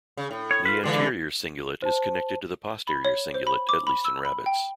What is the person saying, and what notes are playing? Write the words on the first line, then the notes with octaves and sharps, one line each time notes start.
The anterior cingulate is connected to the posterior cingulate at least in rabbits.
C#3
A2
C#5
F4 B4
A#2 D3 E3 G#3 D4
C5 A5
B5
C#5
C5
B5
D6
B5
E6
B5
G5